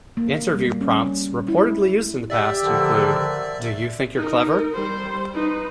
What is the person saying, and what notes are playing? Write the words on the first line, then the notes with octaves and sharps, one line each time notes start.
Interview prompts reportedly used in the past include Do you think you're clever?
A#3
G3
C#4
E4
G4 D5 E5 E6
D3 D#3 F3
D#4 A#4
G3 C5
D#4 B4